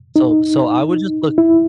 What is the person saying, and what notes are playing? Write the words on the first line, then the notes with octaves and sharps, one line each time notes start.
So so I would just look
D#4
E4